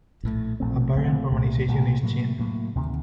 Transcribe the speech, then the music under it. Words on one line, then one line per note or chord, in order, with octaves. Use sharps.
A variant romanization is Chin.
A#1 A2 A3
A#1 A#2 A3 C4
A#1 A#2 A3 C4
C2 A#2 A3
C2 A#2 A3
A2 F#3 A#3
A2 F#3 A#3
D2 C3 D#3